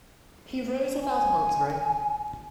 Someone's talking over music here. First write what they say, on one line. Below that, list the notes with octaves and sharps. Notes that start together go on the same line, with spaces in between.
He rose without answering.
G#5